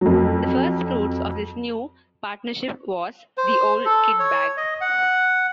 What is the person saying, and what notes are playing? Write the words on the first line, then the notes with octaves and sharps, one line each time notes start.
The first fruits of this new partnership was "The Old Kit Bag".
F2 F#3
C5
A4
C#5
D#5
F#5